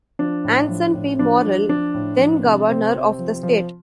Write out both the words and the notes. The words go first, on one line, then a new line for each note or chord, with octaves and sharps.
Anson P. Morrill, then governor of the State.
F3 D4
A2
F3
A2
F3 D4
F3
F3 D4
A2
F3
C3
C3 C4
C3
F3
F3